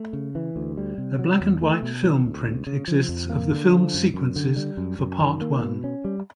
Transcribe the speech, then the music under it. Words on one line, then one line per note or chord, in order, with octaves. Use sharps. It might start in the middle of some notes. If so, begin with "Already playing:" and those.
A black-and-white film print exists of the filmed sequences for Part One.
Already playing: A3
C#3
E3
D2
G3
C3
F#3
E2
A3
B2
E3
D2
D2
C#3
F3
F2
A#3
D3
F3
F#2
F#2
D3
G3
F#2
F#2
D#3
A#3
B2
C#4
G3